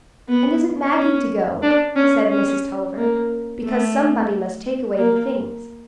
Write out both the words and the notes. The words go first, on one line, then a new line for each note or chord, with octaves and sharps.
"And isn't Maggie to go?" said Mrs. Tulliver; "because somebody must take away the things."
B3
C#4
D4
C#4
C#4
A#3
A3
A#3